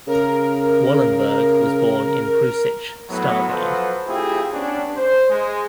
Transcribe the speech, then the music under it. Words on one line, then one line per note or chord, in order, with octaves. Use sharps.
Wallenberg was born in Preussisch Stargard.
C#3 A#4
A2 F#3 B3
F3 F#3 A4 B4 C5
A3 C4 E4 F4 G4 G#4
G3 B3 C#4 D4
C5
G#3